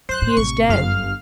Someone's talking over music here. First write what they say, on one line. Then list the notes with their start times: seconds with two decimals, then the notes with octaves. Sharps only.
"He is dead."
0.09 F#2 C5 F#6
0.22 A2
0.37 A1 C3 C#6
0.69 G1 F#2 F5 F6